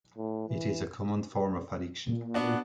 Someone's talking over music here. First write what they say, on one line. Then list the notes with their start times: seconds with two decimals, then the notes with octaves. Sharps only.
It is a common form of addiction.
0.17 A2
0.49 E3
2.08 A#2
2.34 B3 D4 F#4